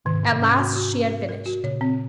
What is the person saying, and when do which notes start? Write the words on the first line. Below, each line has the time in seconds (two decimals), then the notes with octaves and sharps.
At last she had finished.
0.05 G#2 C3 D#3
0.23 D#3
0.32 G#2 C3
0.41 C#4
0.58 F#4
0.75 F#4
0.93 C#4
1.10 A#4
1.29 A#4
1.46 F#4
1.64 A#2 C#3 C#5
1.81 C4